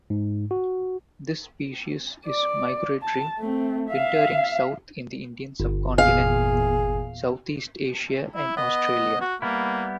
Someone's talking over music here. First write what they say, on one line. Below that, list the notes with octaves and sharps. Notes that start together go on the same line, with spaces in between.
This species is migratory, wintering south in the Indian Subcontinent, Southeast Asia and Australia.
G#2
F#4
D5
A5
A3 C4
E5 F5
G1
E2 A#2 G#4 F5
E4
B3 D#5
F#4
G3 A#3 B3 E4